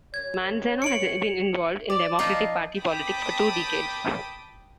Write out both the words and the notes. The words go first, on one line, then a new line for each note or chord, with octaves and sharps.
Manzano has been involved in Democratic Party politics for two decades.
F#2 C#5 G#6
C#7 D7 F#7
D5
F3 D#4 F4
G5 A5 B5 D6 D#6 G6